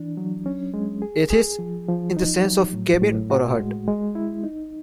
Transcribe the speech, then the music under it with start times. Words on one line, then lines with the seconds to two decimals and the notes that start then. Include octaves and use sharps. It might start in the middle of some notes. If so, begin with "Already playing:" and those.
"Athis" in the sense of "cabin or hut".
Already playing: E3 D4
0.17 F#3
0.46 C#4
0.74 G#3
1.02 G#4
1.30 G#4
1.59 F3
1.88 F3
2.17 D#4
2.45 F#3
2.73 A2
3.02 A2
3.30 F#4
3.59 G#3
3.88 G#3
4.15 E4
4.44 D#4